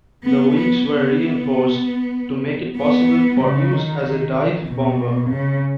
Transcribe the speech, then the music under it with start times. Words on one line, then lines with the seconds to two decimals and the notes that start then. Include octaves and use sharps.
The wings were reinforced to make it possible for use as a dive bomber.
0.24 B3
0.56 B3
0.87 B3
2.77 B3
3.40 C#3
3.72 D#3
4.04 D#3
4.66 B2
5.29 C#3